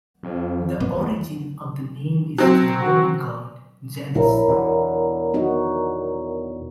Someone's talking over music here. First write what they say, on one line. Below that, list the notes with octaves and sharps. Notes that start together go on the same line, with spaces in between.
The origin of the name is the Roman god, Janus.
F2
B3
E2
F#3 C4
F#4
A#1 E4 A#4 C#5 A#5
E2 B2 D3
B3 D#4 F#4